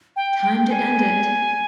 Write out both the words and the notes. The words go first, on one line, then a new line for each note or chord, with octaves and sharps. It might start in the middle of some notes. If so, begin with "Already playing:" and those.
Time to end it!
G5
G5
G#5